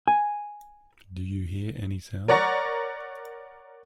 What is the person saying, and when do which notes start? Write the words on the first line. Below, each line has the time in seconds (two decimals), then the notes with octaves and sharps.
Do you hear any sound?
0.08 G#5
2.28 A#4 C#5 D5 F#5 A#5 C#6